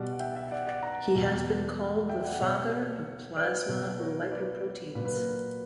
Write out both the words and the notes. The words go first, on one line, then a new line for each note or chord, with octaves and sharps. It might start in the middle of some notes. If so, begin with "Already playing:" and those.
He has been called the father of plasma lipoproteins.
Already playing: B2 G3 D5 F#5
F#5
E5 G5
E5 G5
D5 F#5
D5 F#5
F#5 A#5
E2 B2 G3
E5 G5
D5 F#5
B2 G3 C#5 E5
B4 D5
B2 F#3
A#4 C#5
B4 D5
A#2 F#3 B4
B4
A#4